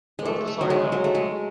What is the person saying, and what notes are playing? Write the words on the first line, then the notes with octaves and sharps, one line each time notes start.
Both signed on.
G#3
A3
A3
F#3
G#3
F#3
A3
G#3